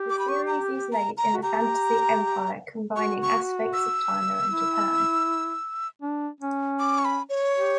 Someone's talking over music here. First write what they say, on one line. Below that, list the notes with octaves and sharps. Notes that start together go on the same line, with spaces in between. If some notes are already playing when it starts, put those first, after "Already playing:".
The series is laid in a fantasy empire combining aspects of China and Japan.
Already playing: G4
D6
B5
C#6
A#5
A#5
A#5
F#4
G4 A#5
F#4 C#6
C#6
E6
E4
D4
C#4
D6
C#6
B5
C#5
G4